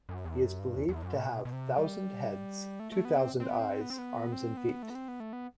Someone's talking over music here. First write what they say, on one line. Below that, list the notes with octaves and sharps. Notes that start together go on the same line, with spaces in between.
He is believed to have thousand heads, two thousand eyes, arms and feet.
F#2
E2
F#2
G2
E2
E2
F#2
A2
B2
B2
C3
G3
A3
A3
B3
C4
C4
B3
C4
B3
C4
B3
C4
B3
A3
B3
C4
B3
A3
B3